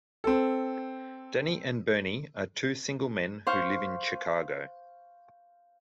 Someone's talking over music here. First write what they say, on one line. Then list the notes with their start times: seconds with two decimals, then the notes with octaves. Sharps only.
Danny and Bernie are two single men who live in Chicago.
0.24 C4 A4
3.47 C5 F5 C#6